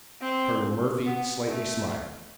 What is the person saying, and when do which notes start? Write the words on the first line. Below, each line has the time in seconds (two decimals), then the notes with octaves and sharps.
Colonel Murphy slightly smiled.
0.22 C4
1.05 B3
1.48 A3